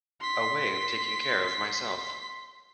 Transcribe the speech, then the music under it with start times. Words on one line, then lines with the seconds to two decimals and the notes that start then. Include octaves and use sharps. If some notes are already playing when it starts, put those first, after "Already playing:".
A way of taking care of myself.
0.20 C6 B6